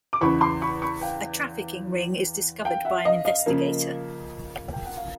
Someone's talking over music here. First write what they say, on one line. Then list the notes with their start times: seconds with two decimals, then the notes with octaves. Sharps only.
A trafficking ring is discovered by an investigator.
0.13 D6
0.21 E2 C#3 E3 B5 C#6
0.41 C6 D6
0.61 B5 C#6
0.82 B5 C#6
1.01 F5 G5
2.65 F5 G5
2.85 E5 F#5
3.05 D#5 F5
3.25 D#5 F5
3.46 C#3 F3 A#3
4.73 G5
4.85 F#5
4.97 F5